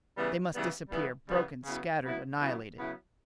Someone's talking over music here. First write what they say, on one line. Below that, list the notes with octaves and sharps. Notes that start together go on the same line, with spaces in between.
They must disappear, broken, scattered, annihilated.
C#3 E3 G3 B3
C#3 E3 G3 B3
C#3 E3 G3 B3
C#3 E3 G3 B3
C#3 F#3 B3 E4
C#3 F#3 B3 E4
C#3 F#3 B3 E4
C#3 F#3 B3 E4